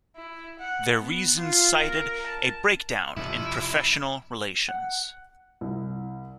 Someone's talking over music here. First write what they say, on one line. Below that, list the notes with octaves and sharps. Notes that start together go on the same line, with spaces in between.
Their reasons cited "a breakdown in professional relations".
E4
F#5
B3
F4
A#4
A5
F2 C3 E4
F#5
C2